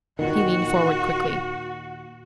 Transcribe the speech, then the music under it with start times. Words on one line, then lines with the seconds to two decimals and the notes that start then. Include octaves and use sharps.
He leaned forward quickly.
0.19 D#2 A#2 D#3 F#4